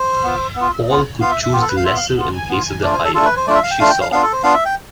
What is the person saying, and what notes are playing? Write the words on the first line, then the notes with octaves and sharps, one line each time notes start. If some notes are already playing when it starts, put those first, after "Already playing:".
Paul could choose the lesser in place of the higher, she saw.
Already playing: C5
B3 F4
B3 F4
B3 F4
B3 F4 F5
E5
E5
B3 F4 G4
A4
B4
F5
B3 F4 E5
F5
B3 F4
B3 F4
A3 D4 F4 D5
C5
A4
A3 D4 F4 A4
B4
C5
A3 D4 F4 D5
E5
F5
G5
A3 D4 F4 F5
G5
F5
B3 D4 F4 F5
A4
C5
B3 D4 F4 F5
E5
G5